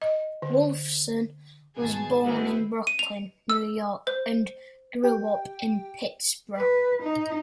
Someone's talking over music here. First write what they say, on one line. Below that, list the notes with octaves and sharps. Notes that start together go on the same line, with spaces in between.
Wolfson was born in Brooklyn, New York and grew up in Pittsburgh.
D#5
D3
G#2 B2 D#3 G#4 G#5 A5
D#3 G#3 B3 E4 F#4 G#4 B4 C5
D#7
F7
E6
C5
G4 G5
B4
D#4